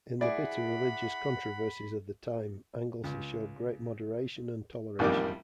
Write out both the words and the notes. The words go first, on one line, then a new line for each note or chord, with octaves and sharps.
In the bitter religious controversies of the time Anglesey showed great moderation and toleration.
E4 G#4 D5 F#5 B5
C#2
A1 F2 D#3 G3 A#3 D6